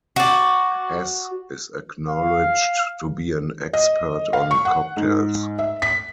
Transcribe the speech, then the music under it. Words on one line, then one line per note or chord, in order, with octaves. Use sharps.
Hess is acknowledged to be an expert on cocktails.
F#4 D5
F5
D#5
F5
C#6
F#5
G#2
E5
B6